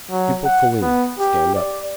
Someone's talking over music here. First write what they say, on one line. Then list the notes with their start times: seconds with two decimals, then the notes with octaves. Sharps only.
"Pupil Toline, stand up."
0.11 F#3
0.45 F#5
0.82 B3
1.19 G4
1.56 D5